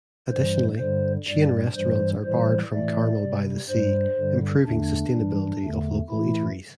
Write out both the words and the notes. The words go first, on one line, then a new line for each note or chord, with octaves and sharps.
Additionally, chain restaurants are banned from Carmel-by-the-Sea, improving the sustainability of local eateries.
G2 E3 G3 C5
G2 D3 G3 C5
G2 G3 D5
G2 E3 G3 C5
A2 E3 G3 C5
A2 E3 A3 D5
C3 G3
G2 G3 C5
G2 D3 G3
E2 D3 A3 D4
G2 E3 G3
E2 D3 A3
A2 E3 A3 E4